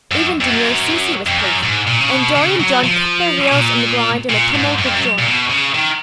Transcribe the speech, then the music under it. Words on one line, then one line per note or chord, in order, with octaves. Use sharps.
Even demure Cecy was pleased, and Dorry and John kicked their heels on the ground in a tumult of joy.
F#2
F2
F#2
F2
F#2
G#2
A#2
C#3
B2
C#3
F#3
F3
B2
A#2
A#2
G#2
F#2
F2
F#2
A#2
B2
C#3
D#3